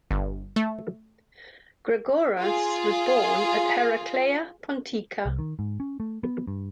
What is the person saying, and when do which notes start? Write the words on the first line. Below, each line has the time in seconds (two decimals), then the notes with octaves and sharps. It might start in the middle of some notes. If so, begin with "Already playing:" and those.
Gregoras was born at Heraclea Pontica.
0.11 G1
0.56 A3
2.39 F4 G#4
5.26 C2
5.39 D#3
5.59 G#2
5.80 C#4
6.00 A3
6.23 B3
6.47 G2